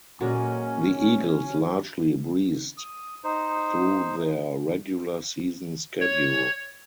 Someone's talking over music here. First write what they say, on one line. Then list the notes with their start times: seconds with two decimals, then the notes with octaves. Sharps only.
The Eagles largely breezed through their regular season schedule.
0.21 A#2 F#3 G#3 C#4
2.77 D#6
3.24 D#4 C5
6.01 C#5